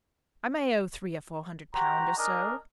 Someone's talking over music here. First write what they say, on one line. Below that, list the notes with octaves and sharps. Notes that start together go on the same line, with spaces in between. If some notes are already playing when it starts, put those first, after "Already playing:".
"I may owe three or four hundred pounds or so."
F#4 G4 C5 A#5
D4 D#4 G#4 A#4 D#5